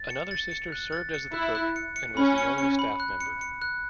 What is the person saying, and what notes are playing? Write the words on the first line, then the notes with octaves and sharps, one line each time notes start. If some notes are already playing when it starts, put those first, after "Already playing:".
Another sister served as the cook and was the only staff member.
Already playing: A6
C#7
A6
C#7
F#6
A6
C#7
E4 F#6
F#6
C#7
C#7
C#4 B5
C#7
C#7
B5
F#6
C#7
C#7
F#6